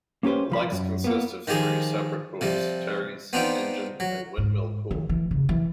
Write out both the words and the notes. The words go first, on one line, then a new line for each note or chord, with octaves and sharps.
The lakes consist of three separate pools; Terry's, Engine and Windmill Pool.
A#3 C#4 G4 B4 C5
C2 F3 B5
F#2
A#3 B3
D#3 F3 G4 G#4
C3 F3 G3
B3 C4 D4 D#4 F4 G5
F#3
G#2
D#3
E3
C#3
E3